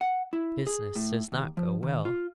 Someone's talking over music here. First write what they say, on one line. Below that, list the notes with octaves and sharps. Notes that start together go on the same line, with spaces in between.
'Business does not go well.
F#5
E4
G#4
A2
D#2
F3
D#3
F4